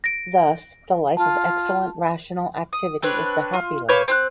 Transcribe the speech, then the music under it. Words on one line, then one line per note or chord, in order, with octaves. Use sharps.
Thus, the life of excellent rational activity is the happy life.
A#6 D7
F4 A5
D#6
C4 D4 B4 C#5
F4
A#3 B4 C#5 G6
C4 C6 F#6